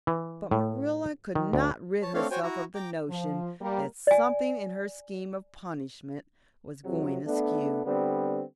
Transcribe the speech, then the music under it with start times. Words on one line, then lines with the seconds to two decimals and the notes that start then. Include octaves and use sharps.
But Marilla could not rid herself of the notion that something in her scheme of punishment was going askew.
0.07 E3
0.51 A2
1.35 D#3
1.53 D2
2.02 C#5 A5
2.14 A3 C4 D4 A4 C#5 F5
2.31 F#4 C5 C#5 G5 G#5
2.43 E4 F#4 A#5
2.75 G5 A#5 D6
3.10 F3
3.61 G3 A#3 A#4
4.07 D5 G#5
6.85 F2 C3 F#3
7.26 A3 B3 D4
7.85 D3 G3 B3 C4